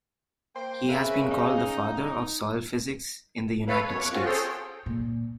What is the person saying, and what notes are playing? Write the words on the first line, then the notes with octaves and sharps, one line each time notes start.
He has been called the father of soil physics in the United States.
A#3 C5 G5
C#3 A#4 B4 E5
D#4
A4 B4 C#5 F5 B5
F#2 B2 C#5
E2 C#6 D6 F6 F#6
C4 C#4 F4 F#4
G#4 A4 C5 C#5 G5 C6
A#2